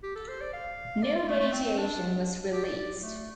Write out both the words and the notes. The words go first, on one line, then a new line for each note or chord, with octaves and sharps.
No radiation was released.
G4
A4
C5
D5
F5
D5
F4
A3
A3
C4
D4
G4
D5
D5
A3